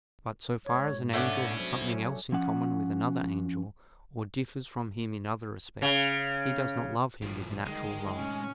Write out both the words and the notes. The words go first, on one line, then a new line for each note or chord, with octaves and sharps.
But so far as an angel has something else in common with another angel, or differs from him in other respects, he does not love him with natural love.
G#2 C#5
B2 A3 B3 C#4 D4 F#5
F#3 C5
F3 C#4 F#5
C#3
G#1 A2 F3
F#1 D3 D#3 G3 G#3
A2 C3 D#3 C#4